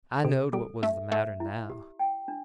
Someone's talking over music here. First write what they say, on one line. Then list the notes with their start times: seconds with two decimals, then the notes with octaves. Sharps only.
I knowed what was the matter now.
0.24 C3 A4
0.53 G3 A4
0.83 A3 E5
1.12 A3 E5
1.40 E4
1.70 G4
1.99 G5
2.28 D4